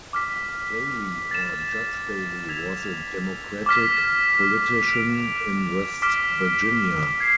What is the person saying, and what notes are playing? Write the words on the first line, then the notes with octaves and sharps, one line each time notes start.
Bailey or "Judge Bailey," was a Democratic politician in West Virginia.
D6 F6 B6
A6 E7
E6 G#6 B6 F7
D6 F6 B6
F6 B6 D7 F7
D6 F6 B6 D7
G#6 C7